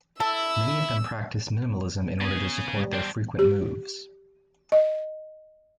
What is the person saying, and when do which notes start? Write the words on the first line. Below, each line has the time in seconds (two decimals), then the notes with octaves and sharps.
Many of them practice minimalism in order to support their frequent moves.
0.20 E4 A4 E6
2.21 C#3 B3 G#4
2.76 G3
2.94 C4 D4
3.39 G4
4.72 D#5